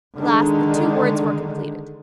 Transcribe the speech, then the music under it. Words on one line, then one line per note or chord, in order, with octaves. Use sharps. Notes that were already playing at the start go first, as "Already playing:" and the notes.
At last the two words were completed.
D3 D#3 G#3